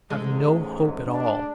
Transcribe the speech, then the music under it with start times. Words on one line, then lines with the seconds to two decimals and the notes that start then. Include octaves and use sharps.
I have no hope at all.
0.10 A1 E2 G#2 G#3 A3
1.06 D4